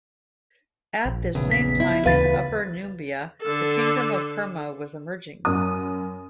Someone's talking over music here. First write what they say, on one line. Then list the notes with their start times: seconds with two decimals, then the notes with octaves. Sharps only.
At this same time in Upper Nubia the Kingdom of Kerma was emerging.
1.05 A#1
1.35 A#1 E2 C#3
1.51 B6
1.80 E4
2.06 D2 C#3 E3 B4 F5 A6
3.42 D3 A4
5.45 F#2 D#6